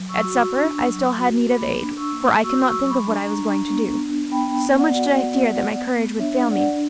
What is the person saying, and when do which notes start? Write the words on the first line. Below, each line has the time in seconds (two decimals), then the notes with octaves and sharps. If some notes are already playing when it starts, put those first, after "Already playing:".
At supper I still had need of aid, for I could not think of what I was going to do, so much did I fear that my courage would fail me.
Already playing: F#3
0.09 C#6 E6
0.25 F#4
0.57 D4
0.88 F#3
1.19 F#4
1.50 A#3 B5 D6
1.81 D4
1.97 C#6 E6
2.13 A#3
2.44 F#4 C#6 E6
2.67 C#6 E6
2.75 F#3
2.87 C#6
2.91 B5 D6
3.07 D4
3.14 A#5 C#6
3.38 D4
3.69 B3
4.00 D4
4.31 B3 G5 B5
4.63 B3
4.78 D5 F#5
4.94 F#4
5.25 B3
5.57 B3
5.88 B3
6.19 D4 C#5 E5
6.50 D4 D5 F#5